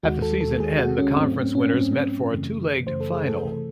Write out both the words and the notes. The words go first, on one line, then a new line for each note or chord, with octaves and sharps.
At the season end, the conference winners met for a two-legged final.
D#2 D#3 G#3 F#4
A4
A4
D#2 D#3 G#3 G#4
F#4
C#4
G#2 F#3 A3 C4
C#4
C#4
G#2 F#3 A3 C4
C#4
F#2 C#3 E3 A3
F#2 C#3 E3 A3 C5
A4
G#4
A4
C3 E3 A3 A4